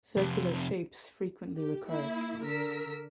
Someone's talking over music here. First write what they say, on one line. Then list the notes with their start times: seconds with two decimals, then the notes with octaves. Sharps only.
Circular shapes frequently recur.
0.17 F2 C3
1.56 G4
1.89 A#3 E4
2.42 D3 A#4 E6 B6